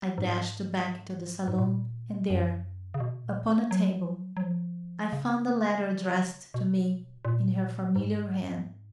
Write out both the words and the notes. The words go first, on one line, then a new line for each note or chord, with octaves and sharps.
I dashed back into the salon, and there, upon a table, I found a letter addressed to me in her familiar hand.
G#2
G#2
A#2
F#2
C#3
B2
A#2
F#3
F#3
F3
C#3
B2
A#2
G#2